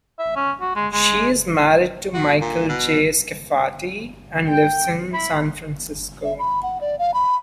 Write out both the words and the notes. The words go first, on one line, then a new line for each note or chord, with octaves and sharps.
She is married to Michael J. Scafati and lives in San Francisco.
E5
C#4
F#4
G#3
G#3
F#4
A#2
B2
G5
E4 B5
E5
B5
F#5
D5
F5
B5